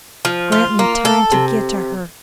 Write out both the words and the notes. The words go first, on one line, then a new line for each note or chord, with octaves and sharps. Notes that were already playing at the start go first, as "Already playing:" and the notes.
Grant me time to get to her....
F3
F4
A#3
A4
C3